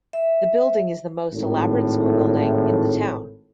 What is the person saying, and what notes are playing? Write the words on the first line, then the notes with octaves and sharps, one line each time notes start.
The building is the most elaborate school building in the town.
E5
G#1 A2